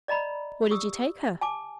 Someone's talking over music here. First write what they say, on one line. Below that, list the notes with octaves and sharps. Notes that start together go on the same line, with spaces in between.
'What did you take her?'
D5 D#5 A#5 B5
G4 D#6 E6
G#5 A5 D6